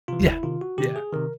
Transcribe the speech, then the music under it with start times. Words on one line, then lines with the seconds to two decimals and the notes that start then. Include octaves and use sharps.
Yeah, yeah,
0.08 C3 E3 F4
0.26 E4
0.43 C3 D#3 F4
0.61 F#4
0.78 C3 D#3 G4
0.96 G#4
1.13 C3 D#3 A#4